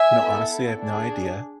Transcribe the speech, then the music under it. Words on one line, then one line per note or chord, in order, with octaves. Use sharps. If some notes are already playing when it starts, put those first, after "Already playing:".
You know, honestly, I have no idea.
Already playing: E5 G#5
B3 E4 A4
D4 G#4